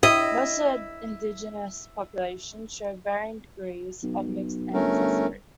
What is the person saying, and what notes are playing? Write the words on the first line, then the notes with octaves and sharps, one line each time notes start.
Most of the indigenous population show varying degrees of mixed ancestry.
E4 D#5
B1
G1 A3 C#4 A#4